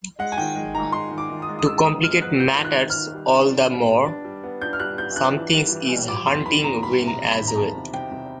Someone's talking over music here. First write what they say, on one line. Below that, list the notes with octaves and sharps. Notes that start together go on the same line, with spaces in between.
To complicate matters all the more, something is hunting Wynn as well.
G#3 F#5
G#5
D#3 G5
G#3
D#3 A#5
G#3 C6
D#3
D6
D#3
D#6
G#3
D#6
G#3 E6
B3 D#6
G#3 F6
B3 F#6
B3 G6
D#3
F#6
D#3
F6
D#3
G3
D4
D4
G3
B3
D4
G3
B3
D4 G6
F6
G3 F#6
B3 G6
D4 F#6
E3
G3
E3
G3
G3 D6
E2 C6
D#3 B5
E2 A#5
G3 B5
C3
A#5
G3
B5
D#3
A#5
E2 A5
C3
C3 G5
C3